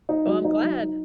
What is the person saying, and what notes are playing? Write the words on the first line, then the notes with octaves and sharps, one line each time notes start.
Well, I'm glad.
D#4
F#3
D#4
F#3
D#4